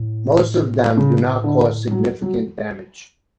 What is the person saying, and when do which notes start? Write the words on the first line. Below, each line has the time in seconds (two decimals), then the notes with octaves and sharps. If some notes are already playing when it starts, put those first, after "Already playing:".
Most of them do not cause significant damage.
Already playing: A2
0.97 C#3
1.44 D3
1.91 F#3
2.22 F#3